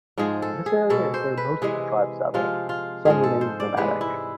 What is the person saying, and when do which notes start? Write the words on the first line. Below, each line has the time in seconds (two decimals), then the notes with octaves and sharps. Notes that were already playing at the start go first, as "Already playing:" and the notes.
This area is where most of the tribe settled; some remained nomadic.
0.18 G#2 F3 G#3 G#4
0.42 A4
0.66 G#4
0.90 B2 G#3 A4
1.14 C5
1.37 B4
1.62 C3 E3 G#3 G#4
2.34 C3 F3 G#3 F4
2.69 F4
3.05 G#2 F3 G#3 G#4
3.23 A4
3.41 C5
3.60 D5
3.77 C3 E3 G#3 B4
4.01 E4